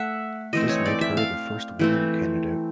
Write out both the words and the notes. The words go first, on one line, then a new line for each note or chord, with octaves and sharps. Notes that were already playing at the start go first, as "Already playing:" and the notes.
This made her the first woman candidate.
Already playing: A3 E5 F#5
E3 A3 C4 D#5
C#5
D5
E5
F5
E3 A3 C4